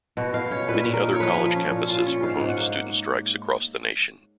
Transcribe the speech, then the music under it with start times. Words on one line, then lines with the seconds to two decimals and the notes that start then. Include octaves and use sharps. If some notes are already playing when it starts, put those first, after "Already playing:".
Many other college campuses were home to student strikes across the nation.
0.17 B2 F#4
0.34 B2 F5
0.51 C#4 C#5
0.68 A#2 B4
0.85 A#2
0.94 A#4
1.02 D#4
1.14 C#5
1.20 F3 B4
1.37 F3
1.55 C#4
1.71 A#2
1.89 F4
2.06 C#4
2.23 G#2 F5
2.40 G#2
2.49 F#5
2.58 A#3